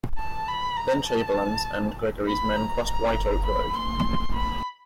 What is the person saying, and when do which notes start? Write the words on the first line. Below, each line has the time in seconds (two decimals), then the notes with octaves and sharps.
Then Chamberlain's and Gregory's men crossed White Oak Road.
0.18 A5
0.48 B5
0.77 A#5
1.07 A5
2.27 B5
2.56 A#5
2.87 A#5
3.45 B5
3.76 C6
4.35 B5